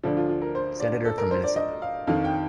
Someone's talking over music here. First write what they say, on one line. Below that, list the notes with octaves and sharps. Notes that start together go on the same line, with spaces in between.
Senator from Minnesota.
D2 D3 F3 D4
F4
F4
A#4
C5
D5
A4
A#4
C5
D5
D#5
F5
F2 D#3 F5
G5